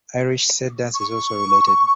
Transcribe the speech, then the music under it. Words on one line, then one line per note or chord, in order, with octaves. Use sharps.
Irish set dance is also related.
C#6